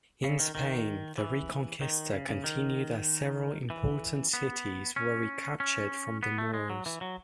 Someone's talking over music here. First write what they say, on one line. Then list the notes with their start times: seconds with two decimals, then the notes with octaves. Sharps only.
In Spain, the Reconquista continued as several important cities were recaptured from the Moors.
0.24 C#3
0.39 D#3
0.55 D#3
1.18 E3
1.81 D#3
2.13 C#3
2.29 C#3
2.44 D#3
3.70 E3
4.33 B3
4.96 C#4
5.60 C#4
6.23 B3
6.38 A3
6.54 G#3
6.70 F#3
6.86 E3
7.01 F#3